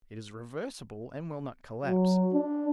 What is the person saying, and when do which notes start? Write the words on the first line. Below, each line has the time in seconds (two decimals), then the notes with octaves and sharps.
It is reversible and will not collapse.
1.86 F#3
2.33 D4